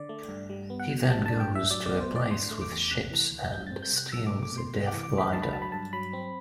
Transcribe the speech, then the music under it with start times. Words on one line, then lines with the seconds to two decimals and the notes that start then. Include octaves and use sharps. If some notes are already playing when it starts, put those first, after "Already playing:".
He then goes to a place with ships and steals a Death glider.
Already playing: D3 D5
0.09 A3
0.29 G2
0.50 G3
0.70 B3
0.80 F#5
0.90 B2
1.10 G3 A5
1.26 D4 A5
1.40 G5
1.50 A2
1.55 E5
1.71 F#3 D5
1.86 D5
1.91 B3
2.00 C5
2.10 A2
2.16 D5
2.31 D3 C6
2.51 A3
2.61 D6
2.71 E2
2.91 C3 F#6
3.11 E3
3.31 D2
3.52 G3 G6
3.67 C4 A6
3.83 G6
3.93 C3 F#6
4.12 F#3 E6
4.27 D6
4.33 A3
4.43 D6
4.52 B2
4.58 C6
4.73 C3
4.87 D6
4.92 E3
5.03 D6
5.13 D2
5.18 B5
5.33 D3 A5
5.42 B5
5.53 F#3 A5
5.62 B5
5.72 G2 A5
5.93 F#3 B5
6.13 C4